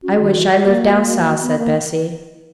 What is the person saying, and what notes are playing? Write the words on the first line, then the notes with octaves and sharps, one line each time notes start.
'I wish I lived down South,' said Bessy.
C#4 F#4
D#3
E3
F#3
G#3
A#3
B3
A#3